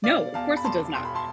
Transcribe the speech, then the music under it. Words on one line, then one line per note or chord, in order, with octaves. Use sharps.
No, of course it does not.
B2 D5 F5
E2 F5 A5
B5
E1 A5 C6
E1 C6
B5
A5 C6